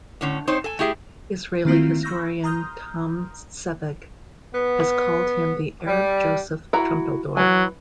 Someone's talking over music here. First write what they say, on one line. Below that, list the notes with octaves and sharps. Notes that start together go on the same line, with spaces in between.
Israeli historian Tom Segev has called him 'the Arab Joseph Trumpeldor'.
A2 D3 C#4
C4 D#4 C5 C#5
A4 G#5
A3 E4 G4 G#4 E5
D#3 A3 A#3 C4 E4 F4
B5 C#6 E6 F6 G6 A#6
A#5 C6 D#6 F6 G6
B3
G3
E4 F#4 A#5
E3 F#3 G#5